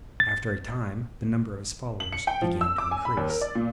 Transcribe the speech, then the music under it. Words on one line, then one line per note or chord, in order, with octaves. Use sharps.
After a time the number of his followers began to increase.
A6
F#7
C#7
G5
F3
E6
D6
G#5
B5
D#2
A#4
D5
A#2